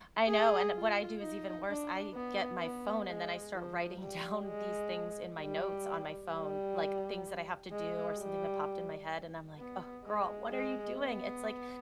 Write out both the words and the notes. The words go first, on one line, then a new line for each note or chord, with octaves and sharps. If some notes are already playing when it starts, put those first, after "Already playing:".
I know, and, eh, what I do is even worse. I get my phone, and then I start writing down these things in my notes on my phone, like, things that I have to do, or something that popped in my head, and I'm like, "Oh, girl, what are you doing? It's, like,
G#4
F4
D#4
D4
B3
B3
G#3
F3
G3
G#3
G3
G3
G#3
G3
B3
G#3
G#3
B3